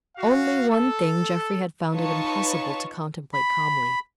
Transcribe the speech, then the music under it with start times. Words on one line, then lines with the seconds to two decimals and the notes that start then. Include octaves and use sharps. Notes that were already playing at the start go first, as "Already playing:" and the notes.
Only one thing Jeffrey had found it impossible to contemplate calmly.
0.16 F#4 F5
0.69 A4
1.94 D#4 F4 B4 C#5 A5 C#6
3.34 B5